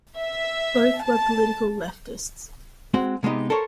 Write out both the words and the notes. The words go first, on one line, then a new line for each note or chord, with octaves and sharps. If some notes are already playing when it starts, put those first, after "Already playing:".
Both were political leftists.
E5
A5
G#3 C4 F#4
C3 G#3 B3 D#4 G4
A4 A#4 C5 C#5